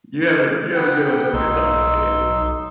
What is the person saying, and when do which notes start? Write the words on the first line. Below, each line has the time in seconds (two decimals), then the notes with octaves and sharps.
you have a you have a good one, it's been good talking to you.
0.75 B4 F#5 G5
1.34 B1 D#4 C6 E6